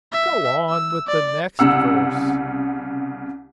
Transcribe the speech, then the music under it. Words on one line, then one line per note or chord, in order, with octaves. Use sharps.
'Go on with the next verse.'
E5
E6
D5
C2 C#3 F#5 E6